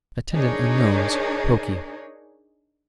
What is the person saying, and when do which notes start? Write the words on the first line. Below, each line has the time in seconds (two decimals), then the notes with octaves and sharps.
Attendant unknowns; pokey.'
0.33 D4 D#4 G#4 A#4 C#5